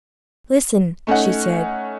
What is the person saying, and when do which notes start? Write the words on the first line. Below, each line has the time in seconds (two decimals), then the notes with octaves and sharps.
"Listen," she said.
1.07 A3 C#4 D#4 F#5